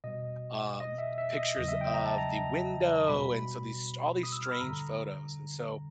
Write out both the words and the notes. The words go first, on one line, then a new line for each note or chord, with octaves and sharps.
um, pictures of the window, and so these st all these strange photos, and so,
B2 G3 D#5
D#5
E5
E5
D#5
E2 C#3 F#3 D#5
E5
G5
A#5
A5
A#5
B2 G3 B5
D#6
E6
F6
B5
G2 D3 G3 A#5